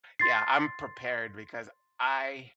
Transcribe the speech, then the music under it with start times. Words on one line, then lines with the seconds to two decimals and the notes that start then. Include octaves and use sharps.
Yeah, I'm prepared because I
0.19 C6 A6 C7